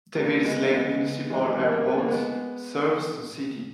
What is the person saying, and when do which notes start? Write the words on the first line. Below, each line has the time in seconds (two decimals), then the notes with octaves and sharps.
Devils Lake Municipal Airport serves the city.
0.16 G3 A#3
0.44 G#3 B3
0.73 G#3 B3
1.30 E3 G#3
1.44 E3 G#3
1.58 G3 A#3
1.73 G3 A#3
1.88 B3
1.98 A#3
2.08 G#3 B3